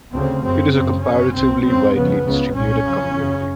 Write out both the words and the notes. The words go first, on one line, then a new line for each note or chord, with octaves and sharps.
It is a comparatively widely distributed community.
D2 C#3 C4
F#2 C#3 C4
F#2 C#3 C4
F#2 C#3 C#4
C2 C3 C4
F2 C#3 C4
F2 C#3 B3
C#2 C#3
C2 A#2 C#4
F#2 C#3
F#2 C#3